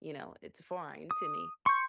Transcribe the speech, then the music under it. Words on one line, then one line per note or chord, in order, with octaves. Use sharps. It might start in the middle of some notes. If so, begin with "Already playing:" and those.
you know it's foreign to me,
D#6
C6 C#6 G6